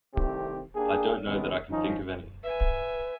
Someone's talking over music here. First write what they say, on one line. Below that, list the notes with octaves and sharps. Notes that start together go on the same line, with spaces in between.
I don’t know that I can think of any.
C2 D#3 A3 C4 G4
A#3 D4 G4 G#4
C3 D#3 G#3 B3 C#4
D#3 F3 C#4 D#4
B4 E5 G#5